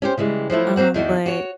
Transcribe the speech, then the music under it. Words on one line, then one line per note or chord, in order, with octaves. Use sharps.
um, but
C#4 G4 C5
C#3 E3 G3 G#3
F3 F#3 A3 E4
F#3 A#3 C4 F#5
E2 D#3 D#4 F#4
F#4 C#5